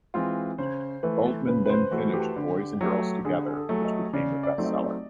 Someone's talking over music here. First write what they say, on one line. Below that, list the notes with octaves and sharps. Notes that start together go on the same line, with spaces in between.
Goldman then finished "Boys and Girls Together" which became a best seller.
E3 G#3 C4 F4
C#3 C5
E3 A3 B4
C#3 B4
B4
C5
E3 A3 F#4
F#4
G4
D3
F#3 A3
D3 G#4
A4
F#3 A3
D#5
C#3 D5
D5
F#3 A3 C4 D#4
D#5
D5